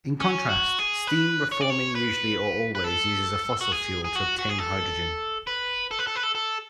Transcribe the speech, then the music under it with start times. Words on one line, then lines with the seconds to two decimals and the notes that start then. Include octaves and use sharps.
In contrast, steam reforming usually or always uses a fossil fuel to obtain hydrogen.
0.20 C#4
0.49 F#4
0.79 G#4
1.07 B4
1.52 C#5
1.61 D5
1.70 C#5
1.95 B4
2.75 B4
2.84 A4
3.61 F#4
3.72 G#4
4.05 G#4
4.15 F#4
4.39 F#4
4.49 G#4
4.59 A4
5.47 B4
5.91 A4
5.99 B4
6.07 A4
6.16 B4
6.23 A4
6.35 A4